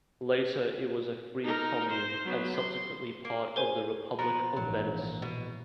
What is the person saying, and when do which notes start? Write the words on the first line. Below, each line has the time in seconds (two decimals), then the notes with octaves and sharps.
Later it was a free commune, and subsequently part of the Republic of Venice.
1.44 D#4 A#4
1.90 C5
2.25 F#3 B3
2.56 C6
3.25 A#3 C7
3.56 G#4 A#4 C5 G#5
4.19 F3 B3 B4 A#5
4.57 A#1 G#2 E3 F#3
5.22 B2